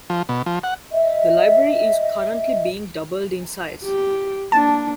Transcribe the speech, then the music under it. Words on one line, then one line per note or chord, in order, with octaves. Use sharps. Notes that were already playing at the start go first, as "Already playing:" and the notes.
The library is currently being doubled in size.
F3
B2
F3
F#5
D#5 E5
G4
A#3 D4 A5